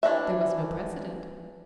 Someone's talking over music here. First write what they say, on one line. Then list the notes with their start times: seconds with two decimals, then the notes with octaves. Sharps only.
There was no precedent.
0.03 E3 D4 D#4 E5